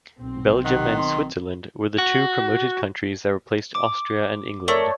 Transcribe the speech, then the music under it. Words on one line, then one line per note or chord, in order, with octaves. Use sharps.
Belgium and Switzerland were the two promoted countries that replaced Austria and England.
B1 C4
D#3 F#5
C6
F#4
D6
A3 A#4 C#5 D5